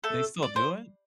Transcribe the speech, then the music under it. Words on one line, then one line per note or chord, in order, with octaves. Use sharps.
they still do it?
A3 A4
D5
C5